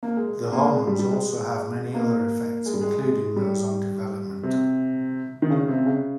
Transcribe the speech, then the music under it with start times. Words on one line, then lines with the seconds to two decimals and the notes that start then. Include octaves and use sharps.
The hormones also have many other effects including those on development.
0.03 A#3
0.17 G#3
0.52 A#3
0.64 G#3
0.76 G#3
0.87 G3
0.99 G3
1.11 G#3
1.94 A#3
2.66 G#3
2.74 G3
2.81 G#3
3.01 G#3
3.36 G3
4.43 C3
5.42 D#3
5.50 C#3
5.68 C3
5.86 C#3